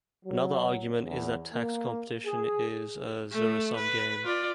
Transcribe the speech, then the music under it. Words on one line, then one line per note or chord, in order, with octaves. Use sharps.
Another argument is that tax competition is a zero-sum game.
F#3
E2
A#3
G#4
A3
B4
F4 D5